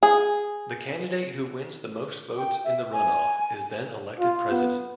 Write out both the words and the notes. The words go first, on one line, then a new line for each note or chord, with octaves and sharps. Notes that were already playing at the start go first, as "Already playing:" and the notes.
The candidate who wins the most votes in the runoff is then elected President.
G#4
G5
E5
G#5
F4
B3